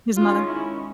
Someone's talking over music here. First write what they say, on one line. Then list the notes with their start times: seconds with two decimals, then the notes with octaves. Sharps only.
His mother.
0.16 D#3 G#3 C#4 F4
0.48 E4